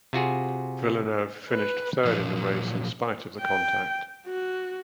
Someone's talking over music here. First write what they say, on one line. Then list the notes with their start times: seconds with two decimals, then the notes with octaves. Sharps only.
Villeneuve finished third in the race in spite of the contact.
0.13 C3 F4 F#4 G#4
1.50 B4
2.05 A#2 F3 F#3
3.41 G5
4.26 F#4